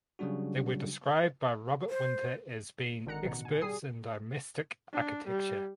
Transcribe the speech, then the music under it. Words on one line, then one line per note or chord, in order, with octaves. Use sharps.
They were described by Robert Winter as being experts in domestic architecture.
C#3 F#3 G3 D4 F#4
C5
G#1 D3 D#3 F#5 A#5 C#7
A1 B2
G#5
G3 G#4 D#6 C7
D4
G3